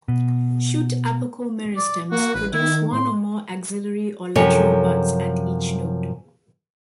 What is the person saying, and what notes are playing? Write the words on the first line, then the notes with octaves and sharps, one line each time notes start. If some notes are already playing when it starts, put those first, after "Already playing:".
Shoot apical meristems produce one or more axillary or lateral buds at each node.
B2
D5
A#3 F#4
A1 B4
D#3 E4
A2 C6
F#2 C3 F3 G4 A4 C#5